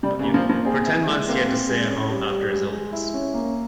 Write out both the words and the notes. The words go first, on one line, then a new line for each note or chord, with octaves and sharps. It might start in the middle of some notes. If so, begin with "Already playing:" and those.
For ten months he had to stay at home after his illness.
C3 G3
C#3
A#3
F3
A#3
F3
C4 G#4
E4
G#3
A#3 C4
C4
G#3
C#4
G3
G3
G#3
G#3
E4
C#4
A#3